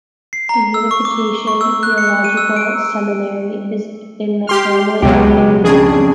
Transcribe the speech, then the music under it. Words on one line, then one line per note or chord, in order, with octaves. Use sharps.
The Unification Theological Seminary is in the hamlet of Barrytown.
C7
A#5
E6
C#6
D6
C#6
E6
F#6
C#7
D#7
E6
D7
G4 C6 F6
C#2 B2 F#3 G#3 G4
F2 C#3 D4 G#4